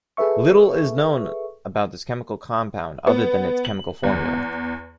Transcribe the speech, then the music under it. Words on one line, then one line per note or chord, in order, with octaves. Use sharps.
Little is known about this chemical compound other than its chemical formula.
G#4 A4 B4 E5 C#6
B3
F#7
E2